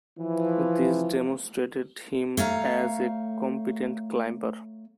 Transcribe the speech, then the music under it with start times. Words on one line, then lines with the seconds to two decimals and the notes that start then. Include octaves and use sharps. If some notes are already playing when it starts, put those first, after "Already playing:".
This demonstrated him as a competent climber.
0.19 E3 F3
2.37 A3 C#5 F5 A#5